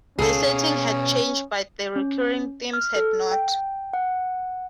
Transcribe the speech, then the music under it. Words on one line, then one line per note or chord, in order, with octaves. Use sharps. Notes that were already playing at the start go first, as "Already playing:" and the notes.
The setting had changed but the recurring themes had not.
C#2 B2 C#4 G#4 A4 F5
C#4
F6
A4
G5
F#5